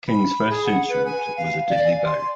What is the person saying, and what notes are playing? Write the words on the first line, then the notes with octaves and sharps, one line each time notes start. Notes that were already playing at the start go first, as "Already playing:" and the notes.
King's first instrument was a diddley bow.
B5
G#4
F#5
B4
G#5
F5
D5
G#5
C6